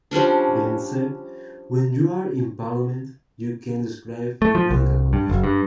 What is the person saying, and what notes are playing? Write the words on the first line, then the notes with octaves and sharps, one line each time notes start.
Benn said: When you're in parliament, you can't describe your medical condition.
F3 G3 C#4 D4
A3
F3
C2
G2
F#1
G2